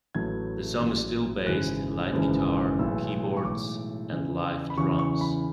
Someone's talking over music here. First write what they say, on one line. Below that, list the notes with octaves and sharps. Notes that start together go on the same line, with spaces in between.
The song is still based in light guitar, keyboards and live drums.
A1 A2 F#3 A3 G#6
A1 A2 F#3 A3
G#1 F#2 C#3 E3 G#3 F#6
G#1 F#2 C#3 E3 G#3
B1 A2 E3 G#3 E6
C#6
B1 A2 E3 G#3 D6
E2 C#3 E3
B5
E2 C#3 E3 C#6
C#6
B5